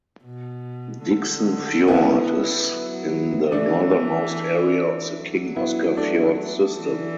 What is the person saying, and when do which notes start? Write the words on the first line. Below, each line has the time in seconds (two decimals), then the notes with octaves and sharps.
Dickson Fjord is in the northernmost area of the King Oscar Fjord system.
0.24 B2
1.06 D3
1.88 B3 E4
2.70 F#3
3.51 E3 A3 D4
5.15 F#3
5.56 B3 E4
5.97 A3 D4
6.78 E3